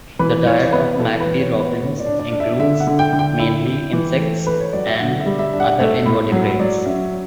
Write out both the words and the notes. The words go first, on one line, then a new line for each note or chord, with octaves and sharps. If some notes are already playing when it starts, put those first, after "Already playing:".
The diet of magpie robins includes mainly insects and other invertebrates.
E3 B4
E3 C#5
B3 B4
E3 A4
B4
E3
C#5
B3
B4
A2 C#5
D5
D4
D5
D4
E5
D3 E5
F#5
D3
G5
D3
G5
E4
E4
E3
A3
A3 B4
C#5
F#3 D5
E5
D3 F#5
E5
G3
E5
D4
F#5
A3 E5
A2
F#3
F#3 D5
C#4 E5